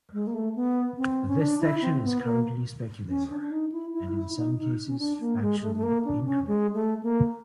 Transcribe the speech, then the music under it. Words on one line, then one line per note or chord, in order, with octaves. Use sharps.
This section is currently speculative, and in some cases factually incorrect.
G#3
A#3
A3
B3
C4
C#4
D4
E4
C4
B3
A#3
C#4
D4
D4
D#4
E4
E4
E4
D#4
D#4
C#4
D4
A#3
G#3
A3
A3
A#3
D4
C#4
G#3
A3
A#3